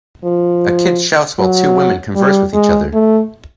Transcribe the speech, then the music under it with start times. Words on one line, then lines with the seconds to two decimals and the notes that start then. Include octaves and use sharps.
A kid shouts while two women converse with each other.
0.24 F3
1.39 F#3
2.16 G3
2.54 G#3
2.94 A3